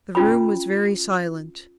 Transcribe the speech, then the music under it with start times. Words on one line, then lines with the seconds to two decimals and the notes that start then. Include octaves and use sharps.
The room was very silent.
0.15 C#4 F4 B5